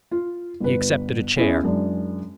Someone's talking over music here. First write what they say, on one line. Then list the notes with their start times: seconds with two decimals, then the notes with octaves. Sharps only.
He accepted a chair.
0.11 F4
0.60 G1 B4
1.36 B3 C#4 E4 G#4
1.64 F#2 G#3 D4